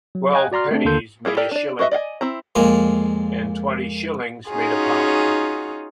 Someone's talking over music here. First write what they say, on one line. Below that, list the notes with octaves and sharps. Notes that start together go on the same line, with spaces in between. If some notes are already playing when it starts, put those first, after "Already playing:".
Twelve pennies made a shilling, and twenty shillings made a pound.
F#3
D#5 F5 G5 G#5 F#6
F#4 D5 A#5 C6 F6
A3 C4 D4
D#2 D3 A#3 A4 C6 G6
G3 E4 G#4 F5
G4 A4 A#4 D5
D4 D5
F#4 B4 D#5 E5
D5 D#5 F5 G#5
C4 E4 A#5
F2 A#2 G#3 A#3
C#4 D#4 F4 F#4 G#4